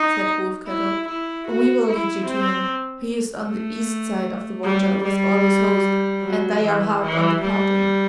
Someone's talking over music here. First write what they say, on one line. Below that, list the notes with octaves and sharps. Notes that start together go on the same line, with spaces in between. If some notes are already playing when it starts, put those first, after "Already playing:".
Said Wolfkettle, "We will lead you to him; he is on the east side of the water, with all his host, and they are hard on departing."
Already playing: D#4
E4
E4
F#4
E4
C4
A3
G3
G3
F#3
E3
E3
G3